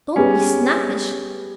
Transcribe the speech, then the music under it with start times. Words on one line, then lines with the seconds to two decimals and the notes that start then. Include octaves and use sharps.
Don't be snappish.
0.16 G3 B3 C#4 D#4 G#4 B4